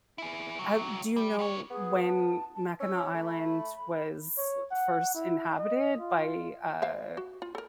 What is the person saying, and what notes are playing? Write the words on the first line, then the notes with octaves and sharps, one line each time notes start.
uh, do you know when Mackinac Island was first inhabited by, uh
E4 G#4
C#2 F#3
G3
G3 C#5
B3 G#4
A5
A5
C#4 E6
A3 B5
C#5
F#5
E4
D#5
F4
C5 E5 F5
F#4
F4
A4 A#4